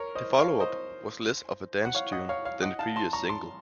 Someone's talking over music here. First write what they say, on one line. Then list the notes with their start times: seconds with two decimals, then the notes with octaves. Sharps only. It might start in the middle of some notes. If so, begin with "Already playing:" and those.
The follow-up was less of a dance tune than the previous single.
Already playing: A#4 C#5
0.15 C5 D#5
0.38 C#5 F5
0.60 C5 D#5
1.85 F#5
1.95 C#5 F5
2.12 D#5 F#5
2.29 C#5 F5
2.45 C#5 F5
2.62 D#5 F#5
2.79 F5 A5
2.96 A5 C6
3.13 A#5 C#6
3.29 A5 C6